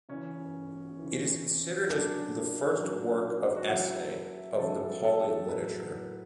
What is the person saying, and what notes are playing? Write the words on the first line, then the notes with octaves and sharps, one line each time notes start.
It is considered as the first work of essay of Nepali literature.
C#3 E3 C#4
C#3 E3
C#3 F#3 D4
C#3 F#3
F#4
C#3 F#3 E4
C#3 F#3 A4
A4
A2 F#3 B4